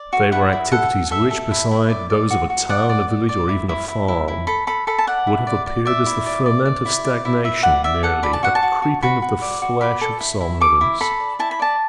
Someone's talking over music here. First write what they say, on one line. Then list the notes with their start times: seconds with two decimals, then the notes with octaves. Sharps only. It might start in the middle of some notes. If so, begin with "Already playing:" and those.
They were activities which, beside those of a town, a village, or even a farm, would have appeared as the ferment of stagnation merely, a creeping of the flesh of somnolence.
Already playing: D5
0.13 F#4
0.32 E4 F#5
0.53 E4
0.72 A4 F#5
0.92 A4
1.11 A4 E5
1.31 A4
1.51 E4
1.71 E4
1.90 D5
2.10 D5
2.30 F#4
2.50 F#4
2.69 D5 F#5
2.89 D5
3.09 D5
3.29 D5
3.49 E4
3.69 E4
3.88 E4
4.08 E4
4.28 E4
4.47 A4 B5
4.67 A4 B5
4.87 A4 B5
4.98 A5
5.07 D5 F#5
5.27 E4
5.47 D5
5.66 D5
5.85 D5 E5
6.06 E4
6.26 D5
6.46 D5
6.65 D5
6.85 E4
7.04 D5
7.25 E4
7.44 E4 E5
7.63 D5 F#5
7.84 D5 E5
8.03 A4 F#5
8.23 D5 B5
8.33 A5
8.43 F#4 F#5
8.55 A5
8.63 F#4
8.82 F#4
9.02 F#4 B5
9.22 F#4
9.41 D5
9.62 F#4
9.81 D5 B5
10.01 A4
10.20 E4
10.40 E4
10.61 A4 D6
10.81 E4
11.01 A4 B5
11.20 D5
11.39 E4 A5
11.51 B5
11.59 D5 A5